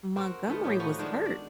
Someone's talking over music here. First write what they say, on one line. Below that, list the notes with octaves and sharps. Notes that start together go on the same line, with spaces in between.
Montgomery was hurt,
C4 F#4 A#4
D#3 A3 B3
A2 F#3 G4
F3 B3 D#4 F#4
D#3 G#3 D4
D5